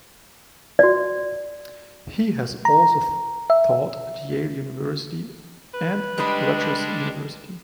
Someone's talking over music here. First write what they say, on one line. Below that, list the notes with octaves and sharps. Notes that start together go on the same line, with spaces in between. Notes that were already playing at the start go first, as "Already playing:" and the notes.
He has also taught at Yale University and at Rutgers University.
F#4 D5
A#5
E5
B4
G3 G#3 D4 G4 D#5 B5